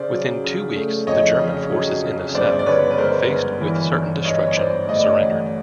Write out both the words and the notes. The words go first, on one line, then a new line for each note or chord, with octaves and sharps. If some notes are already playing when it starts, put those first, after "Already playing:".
Within two weeks the German forces in the south, faced with certain destruction, surrendered.
Already playing: C#3 C5 D5
F#3
C#3
A3
F2 C#5 D#5
C#3
F#3
C#3
G1 C5 D5
D5
G1 B4 C#5
B4
G#3 A#4 C5
G1
E3
G1
G1 C#5 D#5
C#5
G1 C5 D5
A2 D#5
D5
C#5 D#5
A1